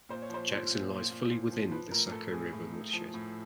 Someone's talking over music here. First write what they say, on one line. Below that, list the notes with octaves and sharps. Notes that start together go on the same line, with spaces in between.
Jackson lies fully within the Saco River watershed.
A#2 C5
C#5
F3 C5
F3
A#2
A#2
A#2
A#2
F3
F3 B4
A2 A#4
A2 A4
A2 G#4
A2
A2
F3
A2